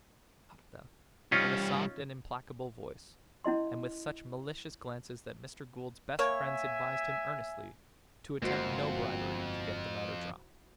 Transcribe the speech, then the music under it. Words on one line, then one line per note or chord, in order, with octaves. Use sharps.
Marta, in a soft and implacable voice, and with such malicious glances that Mr. Gould's best friends advised him earnestly to attempt no bribery to get the matter dropped.
C2 G2 C#4 D#4 F4
C#4 E4 D#5 C6
A#3 C#5 E5 G#5
G1 F2 G#3 A#3 E4 F#4 C5